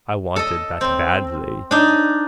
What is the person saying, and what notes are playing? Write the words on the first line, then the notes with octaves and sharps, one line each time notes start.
I wanted that badly.
A4 D#5
C4
D4 D#4